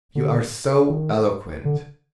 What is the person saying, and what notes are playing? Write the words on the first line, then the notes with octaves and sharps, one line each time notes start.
You are so eloquent.
D3
D#3
D3